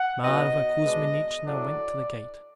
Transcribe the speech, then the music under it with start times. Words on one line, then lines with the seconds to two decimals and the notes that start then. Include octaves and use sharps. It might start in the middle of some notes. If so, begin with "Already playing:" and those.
Mavra Kuzminichna went to the gate.
Already playing: F#5
0.24 B2 F#3 B3 D#4 D#5
0.85 B2 G#3 B3 D4
1.45 A2 F#3 A3 D4 D5